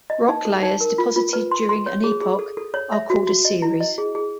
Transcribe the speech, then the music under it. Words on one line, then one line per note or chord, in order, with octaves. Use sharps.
Rock layers deposited during an epoch are called a series.
D#5
D#4
A4
D#4
A#4
F4
F4
B4
C6
C6
C#5
G#4
G#4
A4
A4
C#5
E5
F#4
F#4
D#5
E4
D#5
G#4
G#4